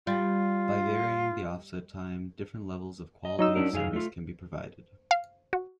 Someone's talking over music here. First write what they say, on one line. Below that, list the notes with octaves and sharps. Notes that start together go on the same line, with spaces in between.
By varying the offset time, different levels of quality of service can be provided.
G3 F4
D#5
F#3 D#4 D#5 E6
C#4 D4 A#4
F#2 G#4 F5
A3 F4
F5
F#4